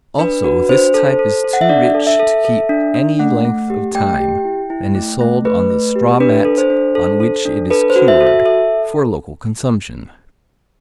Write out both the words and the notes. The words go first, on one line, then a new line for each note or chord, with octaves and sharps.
Also, this type is too rich to keep any length of time and is sold on the straw mat on which it is cured, for local consumption.
D4 B4
F#4 B4
D4 C5
A4
A4
A4
F#5
E5
D4 D5
A4
E5
A4
A4
D4
D4
A3 F#5
A3
G4
A3 G5
G4
E4
E4
A3
A3
A3 B4
A3
G4
D4 B4
A4
C5
D4
A4
A4
D4
A4 B4
C5
F#4
E5
A4
E5
A4 E5